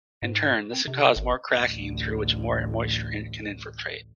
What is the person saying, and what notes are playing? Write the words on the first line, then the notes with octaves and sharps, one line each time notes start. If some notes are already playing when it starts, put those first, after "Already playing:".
In turn, this can cause more cracking through which more moisture can infiltrate.
G#2
C4
C3
G#1
A1 D2